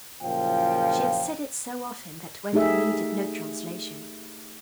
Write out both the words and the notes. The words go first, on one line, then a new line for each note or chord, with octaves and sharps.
She had said it so often that Wendy needed no translation.
F#1 A#2 F3 F5 G5
A3 D#4 G4 G#4 E5